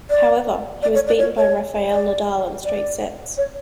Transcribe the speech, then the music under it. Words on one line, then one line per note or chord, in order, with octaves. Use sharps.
However, he was beaten by Rafael Nadal in straight sets.
D5
D5
C#5
D5
C#5
C#5
D5
D5
C#5